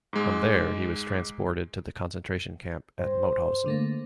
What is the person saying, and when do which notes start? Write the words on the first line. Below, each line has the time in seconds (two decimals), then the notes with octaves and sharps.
From there, he was transported to the concentration camp at Mauthausen.
0.13 G#2 G#3
3.00 G2 C5
3.66 D3 A3 A#3